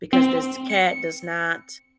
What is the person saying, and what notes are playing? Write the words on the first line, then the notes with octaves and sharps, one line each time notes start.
because this cat does not,
C4
C#7